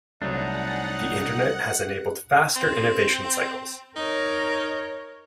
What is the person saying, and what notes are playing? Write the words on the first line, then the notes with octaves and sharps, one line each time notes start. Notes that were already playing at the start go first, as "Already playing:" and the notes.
The internet has enabled faster innovation cycles.
C2 F#3 A3 D4 D#4 F#5
C4
D#4 A#4 C#5